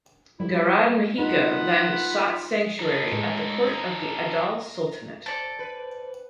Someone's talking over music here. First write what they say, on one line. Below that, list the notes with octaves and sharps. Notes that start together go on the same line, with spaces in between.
Garad Mahiko then sought sanctuary at the court of the Adal Sultanate.
G3 E4
D#4 F4 F#5 B5
D#4 A4
A2 G#3
A#5
A4 C5 D5
B4